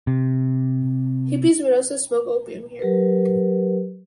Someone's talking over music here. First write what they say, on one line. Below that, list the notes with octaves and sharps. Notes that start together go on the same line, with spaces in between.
Hippies would also smoke opium here.
C3
F#3 G4 A#4 B4